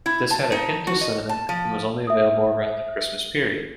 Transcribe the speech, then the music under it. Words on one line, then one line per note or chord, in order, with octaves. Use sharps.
This had a hint of cinnamon, and was only available around the Christmas period.
E4
A5
D#4
F#4
D#5
A5
F3
E5 D#6